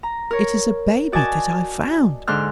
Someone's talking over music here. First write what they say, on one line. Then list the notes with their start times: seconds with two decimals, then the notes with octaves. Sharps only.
"It is a baby that I found."
0.03 A#5
0.31 A#4 C#5
1.12 F#4 D5 D#5 G#5 A5
2.27 G#2 D3 D4 C5 F6 F#6